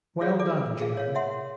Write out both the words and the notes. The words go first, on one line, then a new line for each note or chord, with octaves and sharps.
Well done June.
F4 G#4 C#5 D5 F5
A4 D5 D6
G#4 A#4 F5
C#5 F5
C#5 E5 F#5 C6